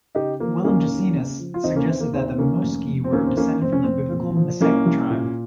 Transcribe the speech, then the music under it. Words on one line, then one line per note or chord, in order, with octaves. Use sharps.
Wilhelm Gesenius suggested that the Moschi were descended from the Biblical Meshech tribe.
C#3 D#4 G4
F3 A#3
D#2 A#3 C#4
D#2
C#3
F3
F4
D#2 C4 D#4
A#3 C#4
D#2 C4
A#3
D#2 C4
C4
D#3 A#3 C#4
F1
F1
C4
D#2 A#3 C#4
C4
D#3 A#3 C#4
F1 C4
C#4
F1 C4
A#2
F3
C2 A#3 C#4
C2
A#2